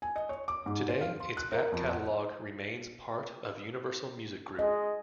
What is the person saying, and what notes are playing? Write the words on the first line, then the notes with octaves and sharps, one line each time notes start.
Today its back catalog remains part of Universal Music Group.
G#5
D#5
C#5
D6
G#2
C5
F5
C6
F#6
A#4
F2
F#5
G#3 D#5